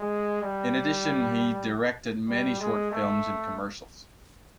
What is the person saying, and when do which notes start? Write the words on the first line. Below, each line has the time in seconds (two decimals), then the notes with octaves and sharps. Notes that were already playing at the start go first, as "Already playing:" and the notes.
In addition he directed many short films and commercials.
Already playing: G#3
0.42 G3
2.29 G3
2.60 G#3
2.91 A3